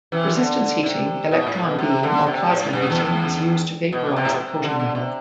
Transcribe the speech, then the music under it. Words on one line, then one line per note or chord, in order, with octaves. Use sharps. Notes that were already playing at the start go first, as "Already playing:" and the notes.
Resistance heating, electron beam, or plasma heating is used to vaporize the coating metal.
C3 E3
D3
C3
B2
A2
B2
C3
D3
C3
A2
G2
E2
E2
B2
C3
A2
B2
C3
D3
D3
C3